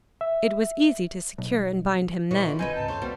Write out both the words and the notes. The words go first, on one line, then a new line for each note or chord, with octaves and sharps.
It was easy to secure and bind him then.
E5
B1
A#2 E3 G#3 C#5
F4 G5 B5
C2 D#3 C4 D4 D#4 B4 G#5
C#2 G#2 A5
E2 G2 C3 C#4 A4 C5 F5
C2 B2 G3 C4 C5